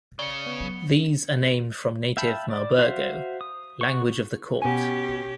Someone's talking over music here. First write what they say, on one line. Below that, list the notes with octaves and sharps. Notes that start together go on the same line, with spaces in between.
These are named from native "malbergo", "language of the court".
C#3 D5 C#7 G7
B3
F#3
E5 F5 G5 A5 B5
D5
F#4 C5 E5 F5
D#6
F#4 C#6
B2 C#4 G4 G#5